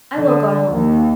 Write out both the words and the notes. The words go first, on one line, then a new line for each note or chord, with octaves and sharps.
"I will go home."
D3
D#2